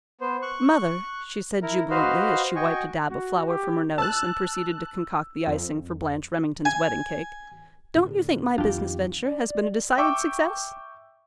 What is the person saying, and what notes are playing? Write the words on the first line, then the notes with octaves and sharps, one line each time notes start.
"Mother," she said jubilantly, as she wiped a dab of flour from her nose and proceeded to concoct the icing for Blanche Remington's wedding cake, "don't you think my business venture has been a decided success?"
B3 C5
C#6 F#6
E4 A#4
F#4 B4 C5 D#5 F5
F#4 D#5 G5 G#5 C#6
F#4
G4
A5 E6 F#6
F2
G#5
A2 D3
F2 D#3 D4 F4 G4
D5
E5 G5 C#6 D6 E6